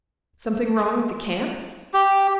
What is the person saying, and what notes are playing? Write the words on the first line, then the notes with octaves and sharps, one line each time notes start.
"Something wrong at the camp?"
G4